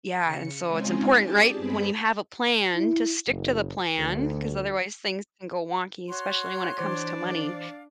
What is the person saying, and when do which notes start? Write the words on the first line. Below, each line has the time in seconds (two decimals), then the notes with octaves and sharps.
yeah and so it's important right, when you have a plan, to stick to the plan, 'cause otherwise things can go wonky, especially when it comes to money.
0.24 C#3 C#7
0.68 G#3 C4 C#4 D#4 F4 G#4
1.22 G4 G#4 D5 A5
1.57 G2 B3 C4 G#4 B5
2.75 E4
3.27 F#1
3.98 D2
6.08 F#4 C#5 C6
6.78 E3 D4 C5 D5 D6
7.19 F5